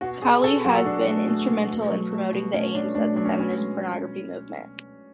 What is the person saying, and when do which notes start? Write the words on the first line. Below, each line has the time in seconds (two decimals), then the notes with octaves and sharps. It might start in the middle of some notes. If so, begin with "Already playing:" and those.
Kali has been instrumental in promoting the aims of the feminist pornography movement.
0.01 B2 F#4
0.22 B2 G#4
0.43 B2 A4
0.64 F#3 F#4
0.85 B2 D4
1.07 A3
1.27 B2
1.48 B2
1.69 B2
1.90 F#3
2.12 A3
2.33 B2
2.53 A3 C#4
2.75 B2 D4
2.95 A3 D4
3.16 F#3 D4
3.25 C#4
3.38 B3 C#4
3.58 G#3